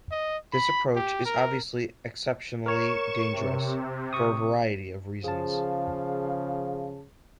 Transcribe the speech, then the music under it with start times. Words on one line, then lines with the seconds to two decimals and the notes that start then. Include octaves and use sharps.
This approach is obviously exceptionally dangerous for a variety of reasons.
0.11 D#5
0.53 B5
0.95 G4
1.25 A#4
2.66 A#4 C#5 C#6 E7
3.32 C3
4.13 C#6 D#6
5.24 C#3 F3 G#4 F5 A5